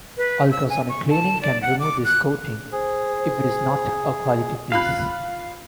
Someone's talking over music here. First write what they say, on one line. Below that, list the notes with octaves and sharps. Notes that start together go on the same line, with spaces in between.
Ultrasonic cleaning can remove this coating, if it is not a quality piece.
B4
E6
G#5
C#6
A5
D5
F#5
D6
F#6
G#4 C5
F4 F5 B5 F#6